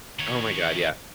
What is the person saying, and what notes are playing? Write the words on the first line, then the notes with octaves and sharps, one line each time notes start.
Oh my god, yeah.
D#3 C#5